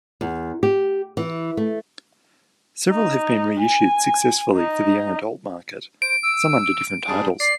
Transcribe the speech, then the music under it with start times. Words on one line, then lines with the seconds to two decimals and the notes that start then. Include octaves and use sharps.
Several have been reissued successfully for the young-adult market, some under different titles.
0.21 E2
0.63 G4
1.17 E3
1.57 A3
2.90 D#4
3.60 G#5
4.54 D#4
6.02 C5 D7
6.23 E6
7.08 G3 D4 G#4
7.40 D5 C7